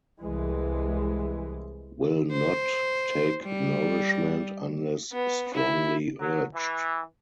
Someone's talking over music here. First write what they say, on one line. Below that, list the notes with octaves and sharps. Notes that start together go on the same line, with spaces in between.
Will not take nourishment unless strongly urged.
C2 E3 G#3
C5
G3
B3
E4
F#3
E3